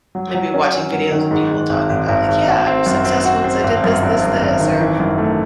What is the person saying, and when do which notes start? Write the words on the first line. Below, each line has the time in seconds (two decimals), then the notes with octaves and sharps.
maybe watching videos of people talking about like, Y"eah, I was successful 'cause I did this, this, this", or,
0.15 F#3
0.35 F#3
0.54 C#4
0.73 C#4
0.93 F#3
1.12 D#3
1.31 G#2
1.51 G#2
1.69 G#1
1.90 G#1
2.09 G#1
2.28 G#1
2.48 F#4
2.66 C4
2.86 F#2
3.05 C4
3.25 F#4
3.44 C4
3.64 G#1
3.84 F#2
4.02 G#1
4.22 F#2
4.41 G#1
4.60 D#3
4.80 E3
5.00 F#2
5.18 A3